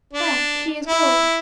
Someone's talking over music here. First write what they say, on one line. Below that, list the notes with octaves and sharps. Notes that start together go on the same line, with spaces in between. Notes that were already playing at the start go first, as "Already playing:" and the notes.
There; he is going.
D4
E4